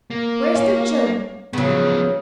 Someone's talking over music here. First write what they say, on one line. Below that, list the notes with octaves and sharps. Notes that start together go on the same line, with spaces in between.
Where's them chillen?
A#3
C#4
C#3 F3 F#3 B3